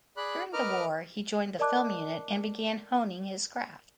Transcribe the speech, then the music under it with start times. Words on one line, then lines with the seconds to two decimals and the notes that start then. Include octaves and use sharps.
During the war he joined the film unit and began honing his craft.
0.17 G#4 D5 B5 F#6
0.53 A#4 B4 D#5 A#5 D6 F6
1.59 A#4 D5 D#5 A5 D6 F#6